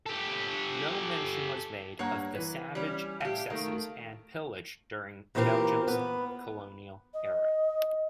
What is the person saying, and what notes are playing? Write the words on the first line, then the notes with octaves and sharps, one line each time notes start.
No mention was made of the savage excesses and pillage during Belgium's colonial era.
G4 A4
G2 A#3 C#5 F#5 A#5
E3 B4
G3 C#4
A2 G4 E5 F5
D#3 A3 A#4 F5
A#2 E3 C4 F4 G4 A#4
B3
D#5